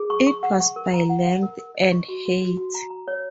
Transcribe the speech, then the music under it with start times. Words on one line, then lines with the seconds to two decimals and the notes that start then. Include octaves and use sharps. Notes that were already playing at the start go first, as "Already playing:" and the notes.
It was by length, and height.
Already playing: G#4
0.10 C#6
0.27 C#6
0.43 F#5
0.60 C#6
0.76 A#4
0.93 A#5
1.09 F#5
1.26 F#5
1.43 A#4
1.59 A#4
1.75 D#5
1.92 C#6
2.08 F#4
2.25 F#4
2.42 F#4
2.57 F#4
2.74 A#5
2.90 A#5
3.08 C#5